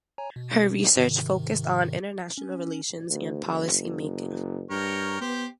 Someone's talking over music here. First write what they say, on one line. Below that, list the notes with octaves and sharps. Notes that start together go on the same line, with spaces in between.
Her research focused on international relations and policymaking.
C#5 G#5 A#5
B2
G#2 C3 D#3
C#4
D2
F#1
G2 A#4 C#5 G5
B3 G4 C5